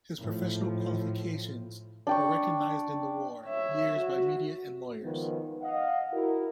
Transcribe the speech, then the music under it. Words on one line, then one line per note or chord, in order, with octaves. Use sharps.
His professional qualifications were recognized in the War years by Media and lawyers.
A2 F3
D4 G5 C#6
C#5 E5
F#4
C#2 D#3 F3 B3
D#5 F5 F#5
E4 F#4 A#4